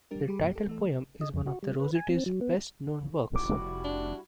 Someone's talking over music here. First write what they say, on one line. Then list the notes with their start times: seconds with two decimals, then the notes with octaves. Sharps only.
The title poem is one of Rossetti's best known works.
0.11 G3 D4 G4 A#4
0.28 G3 G4 G#4 B5
0.40 F#2 B2 A#3
0.51 G4 A4
0.67 E3 A3 A4
1.21 D#5
1.34 F2
1.46 F#4
1.63 G3
1.80 B4
1.95 G#5
2.09 C4
2.26 F#3
2.41 B3
3.36 F1 G3 E4 F#4 D6
3.84 D4